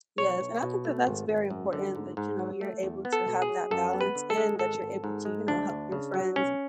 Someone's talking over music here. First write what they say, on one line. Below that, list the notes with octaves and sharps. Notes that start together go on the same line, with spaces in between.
Yes, and I think that that's very important that, you know, you're able to have that balance and that you're able to, you know, help your friends
B1 C#5
B1
B2
A3
G#1
G#1
F#2
D3
G#2
G#2
F#3
A3
E2
B3
A4
B2
G#4
F#3
F#2 A4
B3
B4
D3
A4
G#3
G#1 A4
G#1
G#2
G#3
D2 D4
D2
C#3
F#3
B1 C#4